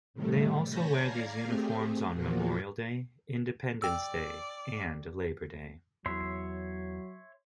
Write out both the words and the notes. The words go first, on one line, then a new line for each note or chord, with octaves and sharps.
They also wear these uniforms on Memorial Day, Independence Day, and Labor Day.
A2 C3 D#3 G3 A3
C#5 G#5 A5 B5 G6 A#6
D5 F5 A#5 G#6 A#6 C7
A3 C4 G4 G#4
A#2 F3 A#3 F4 F#4
D5 G5 E6
E2 F#3 C#5 E5 C6